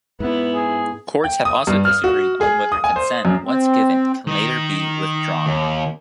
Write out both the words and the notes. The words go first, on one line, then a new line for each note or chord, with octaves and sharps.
Courts have also disagreed on whether consent, once given, can later be withdrawn.
G#2 B3 E4
G#4
G5
D#6
G2
F6
F#4
G#4
D#6
G#5
C5
F#2
C4
D#3 D#4
D#2